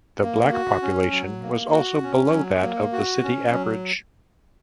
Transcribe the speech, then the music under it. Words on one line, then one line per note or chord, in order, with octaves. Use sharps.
The black population was also below that of the city average.
A#3
F#4
C#4
F#3
A#3
F#4
C#4
F#3
A#3
F#4
C#4
F#3